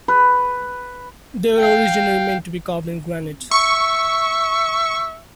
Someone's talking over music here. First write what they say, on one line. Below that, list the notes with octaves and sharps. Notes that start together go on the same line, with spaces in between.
They were originally meant to be carved in granite.
B4
F5 G5
E5 C#6